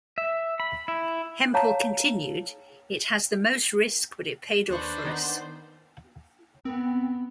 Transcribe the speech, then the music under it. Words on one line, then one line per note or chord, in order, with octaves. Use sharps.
Hempel continued, It has the most risk but it paid off for us.
E5
B5
E4
C#5 F5 A5 A#5
D#2 D4 B4 C5 C#6 F#6
D#3 B3 D#4
B3 C4